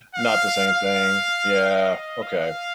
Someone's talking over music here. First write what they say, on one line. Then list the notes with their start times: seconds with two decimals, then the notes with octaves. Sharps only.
Not the same thing. Yeah, okay.
0.15 F5
0.67 F5
1.71 D#5
2.23 F5